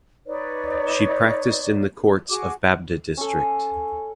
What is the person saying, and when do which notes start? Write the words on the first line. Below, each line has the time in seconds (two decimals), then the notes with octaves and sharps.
She practiced in the courts of Baabda District.
0.26 D#4 B4 C#5 D5
2.29 F#4 G#4 D6
3.17 C#4 A4